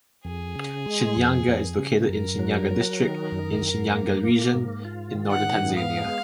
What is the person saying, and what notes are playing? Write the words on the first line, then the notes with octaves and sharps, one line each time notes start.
Shinyanga is located in Shinyanga District, in Shinyanga Region, in northern Tanzania.
F2 G#4
C#3
G#3
F2
F2
C#3
F#2 A#4
F#3
F#3
D#3
F#2
F#2
A#3
A#3
G#2
F4
D#3
F#5
G#2
B3 F5
G#3